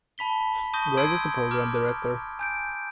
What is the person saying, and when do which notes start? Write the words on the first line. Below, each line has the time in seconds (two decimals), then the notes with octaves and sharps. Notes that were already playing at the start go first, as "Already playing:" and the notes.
Greig is the Program Director.
0.18 A5 B5 B6 G7
0.73 A5 C#6 D#6 G6 A#6 G7
0.97 C6 E6 G#6 D7
1.51 A#5 D6 F6
2.39 G#5 G6 D7